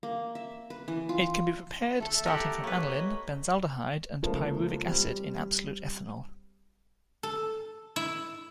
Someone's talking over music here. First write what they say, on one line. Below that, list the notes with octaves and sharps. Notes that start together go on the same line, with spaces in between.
It can be prepared starting from anilin, benzaldehyde and pyruvic acid in absolute ethanol.
A#3
E5
B4
E3
F4
A3 A4
A3 G4 A#4 E5 F#5 A5
A#3 B4 C#5
D#5 B5
C#2 F3 A3 A#3
G3 C4
A4
E4